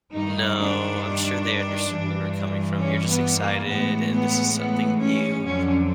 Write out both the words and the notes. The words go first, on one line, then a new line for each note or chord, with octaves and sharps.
No, I'm sure they understood where you were coming from, you're just excited, and this is something new,
G2 D#3 G3 D#4
D4
G2 E3 G3
C#4
B3
A#3
A2 E3 G#3 B3
B3
B3
C#4
F2 D3 F#3 C#4